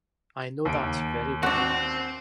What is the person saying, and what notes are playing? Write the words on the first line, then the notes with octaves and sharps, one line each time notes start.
I know that very well.
D#2 D7
C4 D4 F#4